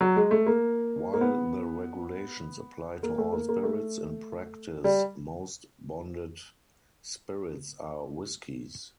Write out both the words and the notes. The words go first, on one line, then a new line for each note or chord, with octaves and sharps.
While the regulations apply to all spirits, in practice, most bonded spirits are whiskeys.
F#3
G#3
A3
A#3
A#3
B3
A#3
A3
A#3
A#3
A3
G3